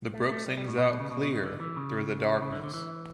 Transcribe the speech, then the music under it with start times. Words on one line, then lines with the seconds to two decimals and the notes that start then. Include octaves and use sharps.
The brook sings out clear through the darkness.
0.13 A3
0.30 A3
0.46 G3
0.57 G3
0.68 A2
0.78 B2
0.90 B2
1.00 C#3
1.11 B2
1.22 B2
1.33 C#3
1.44 D3
1.60 E3
1.77 C#3
2.42 C#3
2.52 D3
2.63 D3
2.74 E3